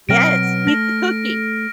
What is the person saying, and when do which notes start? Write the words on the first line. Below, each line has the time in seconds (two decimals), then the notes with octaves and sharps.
Yes, eat the cookie.
0.09 B2 F#3 C4 F6 A#6 D7
0.67 A3 A#6